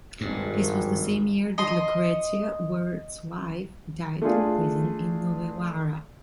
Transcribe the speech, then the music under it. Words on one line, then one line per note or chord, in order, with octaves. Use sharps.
This was the same year that Lucrezia, Wert's wife, died in prison in Novellara.
G#1 G2
D#5 C6
A3 D4 F4 G#4